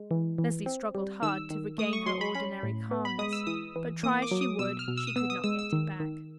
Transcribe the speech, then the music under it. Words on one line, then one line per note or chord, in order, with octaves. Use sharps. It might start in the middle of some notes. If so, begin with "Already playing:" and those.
Leslie struggled hard to regain her ordinary calmness; but, try as she would, she could not get it back.
Already playing: G#3
E3
E3
C4
G3
D#3 E6
D#3
A3 D#6
C#6
F#3 C6
B5
C#4 B5
A2
B3
B5
G#3 D#6
E6
E3 D#6
E3
A#3 D#6
D6
F#3
D#6
B2 E6
F6
B2
E6
D#6
B3 E6
D#6
G#3 E6
E6
D#3
D#3